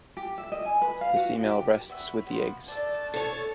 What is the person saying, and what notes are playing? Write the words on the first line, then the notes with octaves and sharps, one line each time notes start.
The female rests with the eggs.
G4
E5
D#5
G#5
B4
F5
F#4
G4
B3 F#4 E5
F3 B3 F#4
A3 D4 A5
A4 C#5